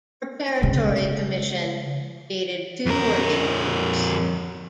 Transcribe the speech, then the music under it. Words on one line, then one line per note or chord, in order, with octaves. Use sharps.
Preparatory Commission created two working groups.
C#3 G#3
F2 A#4